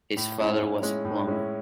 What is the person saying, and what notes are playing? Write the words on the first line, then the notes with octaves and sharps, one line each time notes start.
His father was a plumber.
A2
G#3 C#4 E4
A2
G#3 C#4 E4
A2
G#3 C#4 E4